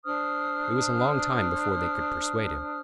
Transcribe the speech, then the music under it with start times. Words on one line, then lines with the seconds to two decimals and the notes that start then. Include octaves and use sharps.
It was a long time before they could persuade him.
0.05 D4 C5 D#6 F6